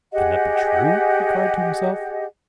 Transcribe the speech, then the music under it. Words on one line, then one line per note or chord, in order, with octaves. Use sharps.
"But can that be true?" he cried to himself.
G4 G#4 D#5 F#5